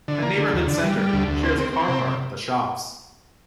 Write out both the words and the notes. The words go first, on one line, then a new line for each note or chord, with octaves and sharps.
A Neighbourhood Centre shares a car park with the shops.
D3
A#3
D3
D#2
D3
G3
G3
D2
D2
C4
C4
C4
C3